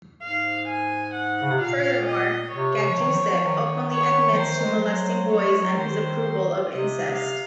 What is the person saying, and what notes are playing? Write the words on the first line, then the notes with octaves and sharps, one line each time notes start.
Furthermore, Gajdusek openly admits to molesting boys and his approval of incest.
G#2 F5
G#5
F#5
C#3
C3
A#2 F5
D#5
C3 C#5
C3
F3
D#3
F3
F3
D#3
C#5
F3
D#3 C5
G#3
F3
F#3 C5
F#3 C#5
G#3
F#3
D#3 C5
C5
C3 D#5
F5